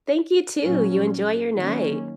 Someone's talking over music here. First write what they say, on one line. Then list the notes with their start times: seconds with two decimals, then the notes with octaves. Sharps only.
Thank you, too, you enjoy your night.
0.63 A#2 F#3 C#4
1.57 D#3 F#3 A#3 C#4